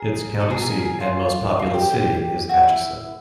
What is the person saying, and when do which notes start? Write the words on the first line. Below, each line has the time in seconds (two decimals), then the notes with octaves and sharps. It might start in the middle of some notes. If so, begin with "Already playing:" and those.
Its county seat and most populous city is Atchison.
Already playing: G#4 A#4
0.40 A4 B4
0.50 G#4 A#4
0.60 G#4 A#4
0.70 G#4 A#4
0.85 G#4
1.00 F4
1.59 F4
1.74 G4
1.90 G4
2.49 F#4
2.63 E4